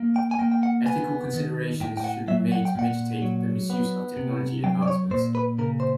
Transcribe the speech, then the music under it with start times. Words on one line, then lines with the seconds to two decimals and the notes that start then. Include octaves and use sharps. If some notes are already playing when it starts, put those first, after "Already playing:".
Ethical considerations should be made to mitigate the misuse of technology advancements.
Already playing: A#3
0.16 G5
0.31 G#5
0.39 A#3 G5
0.52 G5
0.63 F#5
0.86 B3 G#5
1.34 D#3
1.80 A2 G5
1.97 G5
2.04 F#5
2.28 F#3 E5
2.52 F#5
2.65 G5
2.75 A#2 F#5
3.22 F#3
3.70 B3
4.17 C3
4.64 F#3 G5
4.82 D5
4.87 C#5
5.11 A#2 C5
5.35 B4
5.58 C#3 A#4
5.80 C5